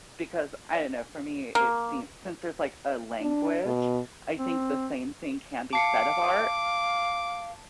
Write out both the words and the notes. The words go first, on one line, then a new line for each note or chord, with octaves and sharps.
because, I don't know, for me, it seem since there's, like, a language, I think the same thing can be said of art.
A#3
D4
B2
C4
F5 A5 D6 C7 C#7